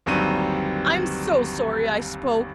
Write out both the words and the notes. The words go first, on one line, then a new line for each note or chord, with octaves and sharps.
I'm so sorry I spoke.
G1 D#2 F#3 G3 C4 D#7